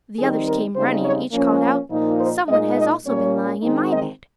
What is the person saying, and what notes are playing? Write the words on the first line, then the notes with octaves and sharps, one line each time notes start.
The others came running, and each called out, "Some one has also been lying in my bed."
D#3 G3 C4 D#4 G#4
A#4
C#3 G3 C4 D#4 C5
C#5
F3 A#3 C#4
A#2 F3 A#3 D#4
C5
A#2 G#3 D#4 D#5
D#5
A#2 G3 A#3 C#4 C#5
D#3 G#3 C4 D#4
D#5